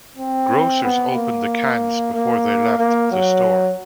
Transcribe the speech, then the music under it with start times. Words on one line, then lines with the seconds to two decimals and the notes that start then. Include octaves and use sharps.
Grocers opened the cans before they left the store.
0.17 C4
0.83 B3
1.15 A#3
2.14 A#3
2.78 A#3
3.11 F#3